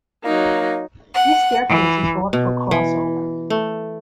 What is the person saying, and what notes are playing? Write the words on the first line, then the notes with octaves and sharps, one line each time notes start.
These staircases go up to a crossover.
F#3 A#3 D#4
F#5
E3
B2
E3
A3